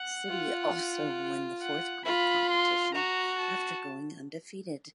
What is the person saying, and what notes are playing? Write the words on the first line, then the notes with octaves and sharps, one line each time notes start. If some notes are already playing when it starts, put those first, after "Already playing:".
City also win the fourth grade competition after going undefeated.
Already playing: F#5
F4
F#5
F4 B5
C6
F#4 A#5
A5